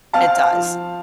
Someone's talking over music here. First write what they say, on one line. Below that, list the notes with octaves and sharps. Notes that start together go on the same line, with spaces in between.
it does.
C4 F5 A5
F3